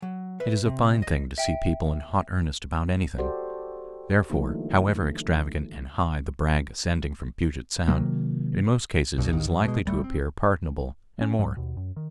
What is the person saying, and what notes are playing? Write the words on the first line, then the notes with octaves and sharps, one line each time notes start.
It is a fine thing to see people in hot earnest about anything; therefore, however extravagant and high the brag ascending from Puget Sound, in most cases it is likely to appear pardonable and more.
F#3
B4 E5
C3
D#5
E5 G5
F#4 G4 A4 C5 D5
D3 E3 F#3 A3 A#3 D#4
C3 D#3 F#3 A#3
B1 G2 B2
A1 D#2 D#3
F#2
B2 G#3
D#1 G3 A3
C4
C#4
G#2 F#3
D#2 B2
F#2
D#3